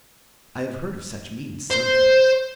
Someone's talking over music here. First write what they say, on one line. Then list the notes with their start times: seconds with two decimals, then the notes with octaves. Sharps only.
I have heard of such means sometimes.
1.70 C5